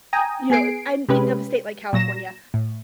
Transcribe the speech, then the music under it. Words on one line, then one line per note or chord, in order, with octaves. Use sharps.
you know, I'm thinking of a state like California,
G5 G#5 A#5 D#6
B3 G#4 G#5 C7 D7
C3 G#3 C#4 G4 B4
A#2 F#3 A#6 E7
A2